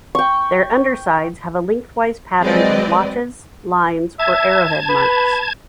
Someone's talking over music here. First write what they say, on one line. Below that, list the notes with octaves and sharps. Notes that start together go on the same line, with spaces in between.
Their undersides have a lengthwise pattern of blotches, lines, or arrowhead marks.
G5 C#6
F#3 G#3 C4 B4 D5 D#5
E5 A5 G#6
B4